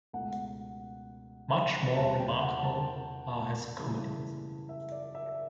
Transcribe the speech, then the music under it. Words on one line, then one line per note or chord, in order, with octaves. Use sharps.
Much more remarkable are his comedies.
C#2 B2 A3 F#5
E2 C#3 G3 A5
G5
F#5
A5
F#2 C#3 E3 G3
E5
D5
E5